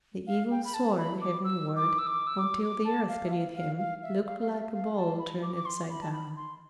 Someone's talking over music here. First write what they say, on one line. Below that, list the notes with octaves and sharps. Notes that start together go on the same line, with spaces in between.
The Eagle soared heavenward, until the earth beneath him looked like a bowl turned upside down.
F5
G5
B5
A5
B5
D6
E6
D6
E6
D6
E6
D6
D6
A5
F5
E5
F5
F5
F5
E5
F5
F5
E5
F5
A5
B5
D6
D6
C6
B5
A5
B5
C6